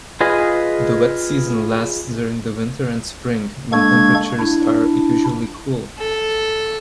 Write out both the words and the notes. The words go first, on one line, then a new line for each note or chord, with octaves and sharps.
The wet season lasts during the winter and spring, when temperatures are usually cool.
F4 G#4 B4 D#5
G#3 A#3 D4 A4 C#6 G#6
D4 E4
A4